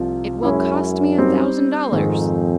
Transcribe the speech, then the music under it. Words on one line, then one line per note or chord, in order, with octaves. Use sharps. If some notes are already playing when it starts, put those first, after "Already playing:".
It will cost me a thousand dollars.
Already playing: C2 C3 F3
F#2 G#3 C#4 E4
G3 C4 D#4
F2 G#2 D#3 G#3 C4 D#4